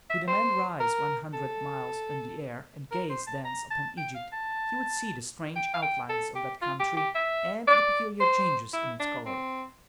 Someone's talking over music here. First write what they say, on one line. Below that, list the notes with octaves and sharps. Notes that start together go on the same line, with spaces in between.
Could a man rise one hundred miles in the air and gaze thence upon Egypt, he would see the strange outlines of that country and the peculiar changes in its color.
E5
C5
A#4
A4
A#4
C5
A5
A#5
A5
G5
F5
A5
G5
F5
G5
A4
G4
F4
G4
G4
E5
D5
C5
E4
D4
C4